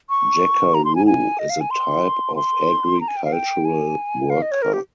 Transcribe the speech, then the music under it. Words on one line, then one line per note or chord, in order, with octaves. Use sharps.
"Jackaroo" is a type of agricultural worker.
C#6
A#5
C6
G#5
G#5
D#5
F5
G#5
C6
C6
A#5
G#5
G5
F5
G5
G#5
F5
D#5
C#5
A#4
G4